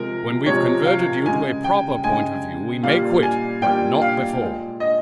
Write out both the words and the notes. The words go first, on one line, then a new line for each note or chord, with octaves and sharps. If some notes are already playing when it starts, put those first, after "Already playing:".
When we've converted you to a proper point of view we may quit, but not before.
Already playing: C3 F3 G#3 A#4
C3 F3 G#3 C#5
F5
C#3 G#3 G#5
G5
C#3 G#3 G#5
A#2 G3 A#3 F5
G#5
A#2 G3 A#3 G5
F5
A#2 G#3
D#5